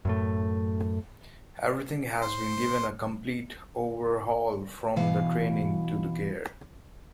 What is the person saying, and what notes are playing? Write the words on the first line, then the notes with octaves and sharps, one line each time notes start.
Everything has been given a complete overhaul from the training to the gear.
F#2 A2 A3
C5
B2 E3 F5